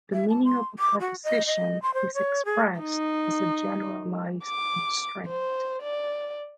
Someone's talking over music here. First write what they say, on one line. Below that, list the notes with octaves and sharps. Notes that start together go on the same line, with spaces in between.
The meaning of a proposition is expressed as a generalised constraint.
E5
A5
C6
D6
F#4
D#5
D#5
C6
C5
C#5
G#4
D#4
D6
C5
D5